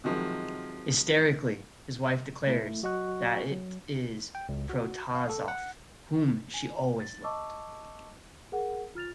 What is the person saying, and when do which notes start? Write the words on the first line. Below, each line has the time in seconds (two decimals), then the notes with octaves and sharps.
Hysterically, his wife declares that it is Protasov whom she always loved.
0.04 C3 D#3 F3 F#3 G#3
2.47 A3 E4
2.83 F#3 F#4 D#5 F#5 C#6 F#6
3.51 F#3
4.35 G5
4.49 C#2
4.69 F#4
5.15 F5
5.30 A4
5.48 F#5
6.54 G#5
7.00 A6
7.24 D#5 A5 C#6 D6 E6
8.52 G#4 A#4 F#5
8.95 F4 F6 A6 F7